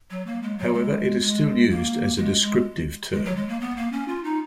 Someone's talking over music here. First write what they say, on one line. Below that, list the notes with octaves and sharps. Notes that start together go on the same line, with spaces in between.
However, it is still used as a descriptive term.
F#3
A#3
G#3
F#3
G#3
G#3
A#3
G#3
G#3
G#3
F#3
G#3
A#3
B3
A#3
C#4
F4
D#4